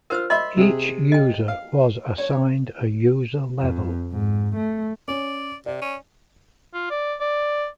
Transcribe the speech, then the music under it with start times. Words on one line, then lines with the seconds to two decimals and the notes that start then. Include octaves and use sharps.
Each user was assigned a user level.
0.10 F4 A#4 C5 F5 E6 F6
0.30 D#5 E5 B5 C6
0.57 C3 G#4
1.12 D#5 G5
1.48 F5
2.18 C#5
3.60 F2
4.12 G#2
4.56 A3
5.08 C#4 D5
5.66 C3 D5
5.82 C#4
6.74 F4
6.90 D5
7.20 D5